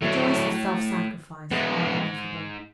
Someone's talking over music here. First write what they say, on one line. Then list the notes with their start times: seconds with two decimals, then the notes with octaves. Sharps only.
The joys of self-sacrifice are ineffable.
0.02 A2 F#3 A3
1.51 G#2 G#3 B3